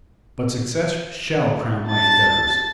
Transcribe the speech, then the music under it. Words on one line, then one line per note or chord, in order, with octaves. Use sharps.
But success SHALL crown my endeavours.
A5 A6